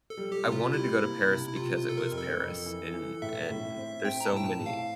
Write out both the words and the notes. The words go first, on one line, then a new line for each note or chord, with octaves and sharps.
I wanted to go to Paris, because it was Paris, and and there's so many
A4
G3
G4
C3
F4
G3 E4
A#3
C3
E4
C3 F4
F4
C3
A4
A#4
F2
A4
F2
E3
E3
A2 E5
A2
C4
C4 G5
A#5
A5
A2 G5
A5
A2
F5